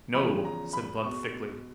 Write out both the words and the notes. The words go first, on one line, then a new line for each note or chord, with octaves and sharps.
"No," said Blood thickly.
E2 C#3 F3 B5
A#5
B5
B2 G#3 C#6